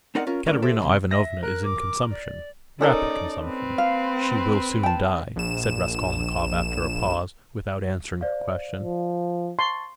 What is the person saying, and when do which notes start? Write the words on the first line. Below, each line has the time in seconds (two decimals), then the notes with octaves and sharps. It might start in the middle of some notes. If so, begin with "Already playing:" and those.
"Katerina Ivanovna is in consumption, rapid consumption; she will soon die," said Raskolnikov after a pause, without answering her question.
0.15 C4 D#4 A#4 D5 F#5
0.27 C#4 F4 A#4
0.46 A2 D3 C#4 A#4 D5
0.62 G4 A4 C5 E5
0.80 C#2 C3
1.11 E5 A#6
1.43 A#4 F#6
1.64 D6
2.11 D5
2.81 C#4 D#4 A4 A#4 D5
3.44 C4 B4
3.78 F5
4.83 G5 A5
5.36 A#1 E7
8.21 C5 D5 F5
8.78 F3
9.59 A5 C6 C#6 A6